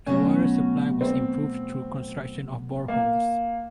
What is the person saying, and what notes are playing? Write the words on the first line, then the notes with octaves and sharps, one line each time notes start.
The water supply was improved through construction of boreholes.
B2 F#3 A3 C#4
C4
A#3